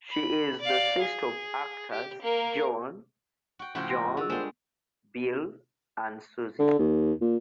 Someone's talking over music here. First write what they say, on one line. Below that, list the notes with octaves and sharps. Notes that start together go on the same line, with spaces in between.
She is the sister of actors Joan, John, Bill, and Susie.
B5
D5 F5
G#4
G4
A#3 A#4
F#4 G5
A2 C#3 F3 F#4 C5 G5
C6 A#6
F4 D#5
D3 G#4 E6
G3 G#3 F4 A4 A#4 C5
D3
D#2
A#2